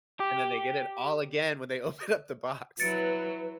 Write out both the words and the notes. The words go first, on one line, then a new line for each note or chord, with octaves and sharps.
and then they get it all again when they open up the box.
G4
F#3 E4 B4 A6 C#7 D7